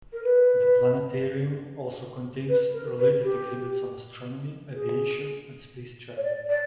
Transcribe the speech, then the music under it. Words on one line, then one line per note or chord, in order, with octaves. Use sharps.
The planetarium also contains related exhibits on astronomy, aviation, and space travel.
A#4
B4
B4
A#4
B4
G4
G#4
C#5
D5
D5